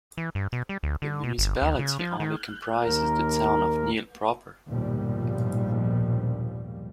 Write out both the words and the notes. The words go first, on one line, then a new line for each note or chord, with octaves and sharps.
The municipality only comprises the town of Niel proper.
E3
G2
B2
G3
D2
D3
B2
G1
D2
C#3
F3
D#3
D#2 A#4
A#1 D#2 G#2 B2 F3 G3